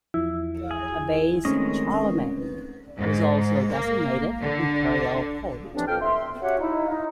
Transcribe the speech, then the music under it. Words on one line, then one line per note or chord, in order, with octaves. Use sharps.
A base Charlemagne was also designated imperial court.
E2 F3 E4
G#4
D#3 G#3 A3 C4 C#4 D#4 D#5
G#2
A#3
D3
A2 C3 E3 F3 C4 D4
F2 G5 F6
E5 C6
C#4 F#4 G4 C#5 E5 F#5
D#4 E4
D#4